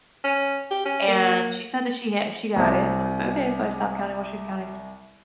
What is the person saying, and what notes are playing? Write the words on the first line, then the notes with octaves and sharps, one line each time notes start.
And she said that she ha she got it, and I was like, "Okay." So I stopped counting while she was counting.
C#4
G4
C#4
A#3
C2 C3